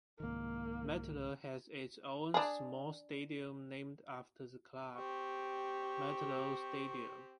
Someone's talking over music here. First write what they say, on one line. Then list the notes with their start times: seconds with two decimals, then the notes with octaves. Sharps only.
Metalurh has its own small stadium named after the club, Metalurh Stadium.
0.20 C2 G#2 D#3 A#3
2.34 D4 G#4
4.96 C4 G4 C#6